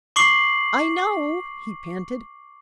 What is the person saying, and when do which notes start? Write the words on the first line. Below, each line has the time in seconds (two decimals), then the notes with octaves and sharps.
"I know!" he panted.
0.16 C#6 D6 C7 F#7